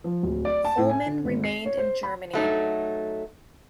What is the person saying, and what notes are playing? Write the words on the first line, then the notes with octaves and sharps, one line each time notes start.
Pohlmann remained in Germany.
F3
D1
D5
A5
A2
G#5
D3
G#1
C7
C#5
C5
B5
F#3 A3 D#4